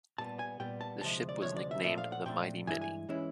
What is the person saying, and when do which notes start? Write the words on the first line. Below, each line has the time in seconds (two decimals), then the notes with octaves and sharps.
The ship was nicknamed the "Mighty Minnie".
0.18 A#2 G3 B3 A5
0.39 G#5
0.60 A#2 G3 B3 G5
0.81 A5
1.01 D2 C3 F3 G#3 A5
1.29 D5
1.42 D2 C3 F3 G#3 C#5
1.56 D5
1.71 E5
1.84 A#2 F3 A3 D4 E5
1.98 F5
2.12 F#5
2.26 A#2 F3 A3 D4 G5
2.67 G2 E3 G#3 E4 G#5
2.82 G#5
3.09 E3 G#3 C#4 E4